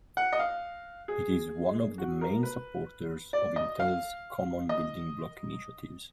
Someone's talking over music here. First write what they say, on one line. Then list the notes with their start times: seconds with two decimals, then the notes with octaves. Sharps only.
It is one of the main supporters of Intel's Common Building Block initiatives.
0.17 F#5
0.33 D#5
0.39 F5
1.08 G#4
1.98 F#4
2.21 A#4
2.43 B4
3.33 D5
3.56 D#5
3.80 F5
4.69 D#5